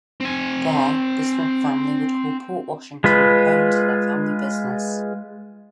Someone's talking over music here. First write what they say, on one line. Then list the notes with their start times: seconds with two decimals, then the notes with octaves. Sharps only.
There, the Smith family would call Port Washington home to their family business.
0.21 C4 G#5
3.04 G#3 F4 B4